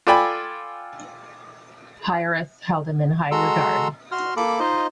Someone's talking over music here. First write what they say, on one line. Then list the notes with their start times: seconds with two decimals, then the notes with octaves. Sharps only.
Pyrrhus held him in high regard.
0.07 F4 A4 D5 G5 G#5 B5
3.31 G#3 F#4 A4 A#5 C6 E6
4.12 F#4 C6 F6
4.37 A#3 A4 B5 D6
4.60 D#4 F4 C5 D#5